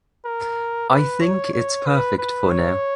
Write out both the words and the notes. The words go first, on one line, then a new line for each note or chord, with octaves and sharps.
I think it's perfect for now.
A#4
B4
C#5
C#5
B4
B4
C#5